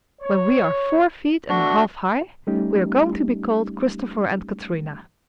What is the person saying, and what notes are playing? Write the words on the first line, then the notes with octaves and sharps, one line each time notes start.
"When we are four feet and a half high, we are going to be called Christopher and Katrina."
C#5
B2 A3 D4 F#4
G3 A3 C#4 D#4 G4